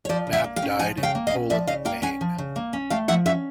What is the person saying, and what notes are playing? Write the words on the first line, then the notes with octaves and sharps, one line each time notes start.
Knapp died in Poland, Maine.
C#5
F3 C5 D5
C#3
E5 F#5
A#3
F5 G5
C#4
F3 F#5 G#5
C#3
F5 G5
A#3
D#5 F5
C#4
F3 D5 E5
C#3 D#5 F5
A#3 F5 G5
C#4 F#5 G#5
F3
C#3
A#3
C#4
A3 F5 G5
F3 E5 F#5
C#4 E5 F#5